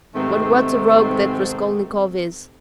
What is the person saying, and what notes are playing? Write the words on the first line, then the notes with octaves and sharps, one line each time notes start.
But what a rogue that Raskolnikov is!
G#2 C3 D#3 A3 B3 C4